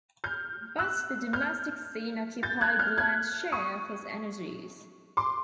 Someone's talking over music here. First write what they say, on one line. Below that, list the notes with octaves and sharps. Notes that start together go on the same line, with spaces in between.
But the domestic scene occupied the lion's share of his energies.
F6 G6
E6 F#6
F6 G6
G6 A6
F#6 G#6
F6 G6
F#6 G#6
C#6 D#6
C6 D6